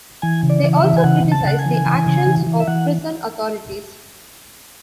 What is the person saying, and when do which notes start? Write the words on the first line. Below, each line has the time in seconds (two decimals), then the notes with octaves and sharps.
They also criticize the actions of prison authorities.
0.22 E3 G#5
0.43 C#3
0.50 D5
0.63 E3
0.77 E5
0.84 E3
0.97 G#5
1.04 C#3 F#5
1.25 C#3
1.32 A5
1.45 C#3 F#5
1.59 G#5
1.65 E3
1.86 E3
2.07 C#3
2.27 E3
2.47 E3
2.60 E5
2.68 E3 F#5